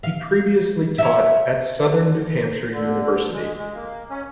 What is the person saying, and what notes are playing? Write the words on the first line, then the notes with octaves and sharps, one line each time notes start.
He previously taught at Southern New Hampshire University.
F5
C#5 E5
D3
G#3
G#3
A#3
C#4